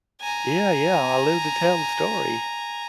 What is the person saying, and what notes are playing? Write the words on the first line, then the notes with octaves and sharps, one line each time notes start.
Yeah, yeah. I lived to tell the story
G#5 A#5